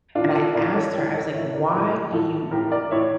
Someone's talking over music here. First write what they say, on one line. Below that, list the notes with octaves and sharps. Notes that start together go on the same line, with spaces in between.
and I asked her, I was like, "Why do you
A2 E3 D4 F4
F4 A4
A2 E3 A#4 D5
A4 C#5
A2 E3 G4 A#4
A4 C#5
A2 E3 C#5 E5
A#4 D5
A2 E3 G4 A#4
E4 G4
A2 E3 F4 A4
A2 E3 G4 A#4
A#4 D5
A2 E3 C#5 E5